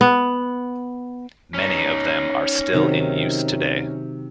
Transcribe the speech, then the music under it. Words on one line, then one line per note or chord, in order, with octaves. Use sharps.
Many of them are still in use today.
B3
C#4 D#4
C3 D#3 F#3